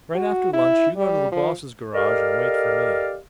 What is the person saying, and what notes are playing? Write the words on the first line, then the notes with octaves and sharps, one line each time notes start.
Right after lunch you go to the boss's garage and wait for me.
F#4
E4
G3
F3
G4 A4 A#4 D5 D#5 F5